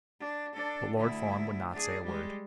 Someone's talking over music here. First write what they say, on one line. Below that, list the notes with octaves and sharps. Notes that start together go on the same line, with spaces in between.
But Lord Fawn would not say a word.
D4
D4 A4
D2 E4
D4 G#4
G3 G#3